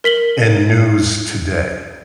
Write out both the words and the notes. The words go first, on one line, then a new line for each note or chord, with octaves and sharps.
in news today?
A#4 B6 F#7 G7